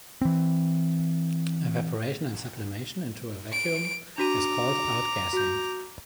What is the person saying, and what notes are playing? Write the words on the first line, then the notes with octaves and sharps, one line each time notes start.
Evaporation and sublimation into a vacuum is called outgassing.
E3 C4
D7
D4 F#4 A#5 D6 D#7
F#4 G6